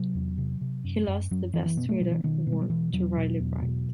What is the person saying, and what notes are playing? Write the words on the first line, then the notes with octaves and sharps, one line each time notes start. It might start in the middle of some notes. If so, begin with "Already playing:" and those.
He lost the Best Twitter award to Riley Reid.
Already playing: C3 F#3
E2
C3
C3
F#2
F#2
F#2 F#3
F#2 E3
E3
B2 B3
A3
B2 F#3
E3
B2 D#3
B2
G3
F#3
B2 E3
E2 F#3
B2
E2
B2